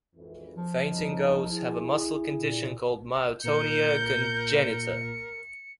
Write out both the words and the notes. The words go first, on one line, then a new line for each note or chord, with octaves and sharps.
Fainting goats have a muscle condition called myotonia congenita.
G#1 F2 E3
F3
C2 F#2 D#4
E4 G#4
A#2
A#2 A#4 G6 C#7